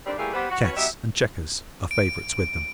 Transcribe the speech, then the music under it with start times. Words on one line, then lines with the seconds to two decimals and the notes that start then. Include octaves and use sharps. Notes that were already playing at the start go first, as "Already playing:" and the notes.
Chess and checkers are favorites with them.
0.06 D3 D#3 G3 C4 D4
0.18 E3 G3 A3 A#3 G4 G#4
0.34 G3 B3 G4 B4 C5 F#5
0.50 F#4
0.63 C#4 F#4 B4 C#5
0.77 F#3 B3 D#4 G4 E5
1.91 D7